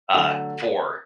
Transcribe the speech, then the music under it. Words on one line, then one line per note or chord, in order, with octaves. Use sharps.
uh, for
D3 F#3 A3